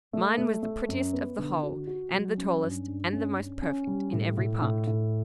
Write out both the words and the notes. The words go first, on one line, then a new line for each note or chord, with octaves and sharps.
Mine was the prettiest of the whole, and the tallest, and the most perfect in every part.
A3
A3
A3
F#2
B3
D3
F#4
F#4
F#3
C#4
G2
G2
C#4
C#4
C#4
G3
A2
A2
A2
A2